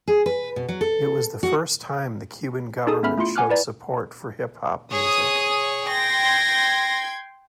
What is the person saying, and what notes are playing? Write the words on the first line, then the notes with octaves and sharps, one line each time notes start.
It was the first time the Cuban government showed support for hip hop music.
G#4
B4
B2
F#3
A4
F#4
D#4 G#4 A4 A5 D#6
B3 C#4 E5 B5 F6
A3 E4 F4 C6 C#7
F#5 G#5 D6 F6 F#6
E4 B4 D5 A#5
G#4 C#5 D#6
G5 C6 G#6 A#6